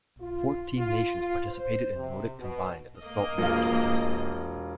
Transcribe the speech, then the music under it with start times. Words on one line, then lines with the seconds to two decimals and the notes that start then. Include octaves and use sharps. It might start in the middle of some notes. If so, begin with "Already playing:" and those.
Fourteen nations participated in Nordic Combined at the Salt Lake Games.
0.21 F4
0.77 F4
1.18 F4
1.48 C5
1.96 C3
2.39 B2
3.01 A#3 D#5
3.38 E1 F4